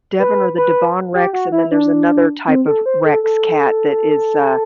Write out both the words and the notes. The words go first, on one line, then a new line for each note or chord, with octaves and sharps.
Devon or the Devon Rex, and then there's another type of Rex cat that is, uh,
B4
B4
G4
F#4
E4
D4
C4
A4
C5
A4
A4